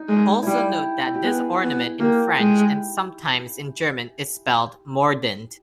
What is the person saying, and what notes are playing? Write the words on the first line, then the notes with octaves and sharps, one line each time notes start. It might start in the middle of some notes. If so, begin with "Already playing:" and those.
Also note that this ornament in French, and sometimes in German, is spelled "mordant".
Already playing: D#4
G#3
G3 E4 G4
E4
G4
B3 G#4
B3
A#3 G4
G#3